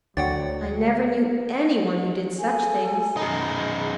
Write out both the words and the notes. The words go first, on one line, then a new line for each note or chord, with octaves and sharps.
"I never knew any one who did such things."
D2 F#3 F#4 C#5 D5 F#5 G5 A6
G#4 A4 G#5
F#2 D#4 G#4 B5